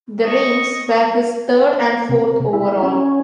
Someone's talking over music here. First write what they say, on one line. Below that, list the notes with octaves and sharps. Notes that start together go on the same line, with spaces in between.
The reigns were his third and fourth overall.
D#5 C#6
C3
E4
C#4